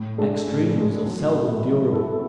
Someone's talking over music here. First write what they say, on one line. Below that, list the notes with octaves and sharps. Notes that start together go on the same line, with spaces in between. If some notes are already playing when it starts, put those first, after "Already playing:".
Extremes are seldom durable.
Already playing: A2
G#3 D4 A4
A2
G#3 D4 A4
F#3
B3 E4 A4
F#3
B3 E4 A4